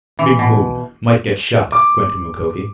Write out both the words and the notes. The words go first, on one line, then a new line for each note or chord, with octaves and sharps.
"Big moon--might get shot," grunted Mukoki.
E3
B2
D6